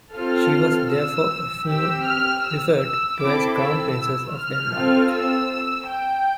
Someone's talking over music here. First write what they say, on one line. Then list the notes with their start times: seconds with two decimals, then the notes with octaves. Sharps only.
She was therefore often referred to as Crown Princess of Denmark.
0.14 C4 F4 A4 F6
0.90 E6
1.67 C4 G4 E6
2.04 F6
2.43 E6
2.81 E6
3.19 C4 E4 A4 D6
3.57 E6
4.33 F6
4.71 C4 F4 A4
5.09 E6
5.86 G5